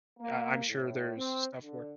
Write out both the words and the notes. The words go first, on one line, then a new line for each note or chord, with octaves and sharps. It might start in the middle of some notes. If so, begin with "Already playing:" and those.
uh, I'm sure there's stuff where
A#3
A2
C4
D3